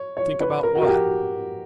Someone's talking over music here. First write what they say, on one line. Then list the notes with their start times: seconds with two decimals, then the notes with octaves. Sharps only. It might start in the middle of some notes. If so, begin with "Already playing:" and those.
"Think about what?"
Already playing: C#5
0.17 C#5
0.40 B4
0.63 A#4
0.75 F#4
0.82 A#4
0.87 G4